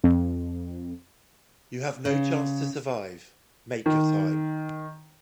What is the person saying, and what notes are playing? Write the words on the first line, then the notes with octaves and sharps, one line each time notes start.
You have no chance to survive make your time.
F2
C#3
D#3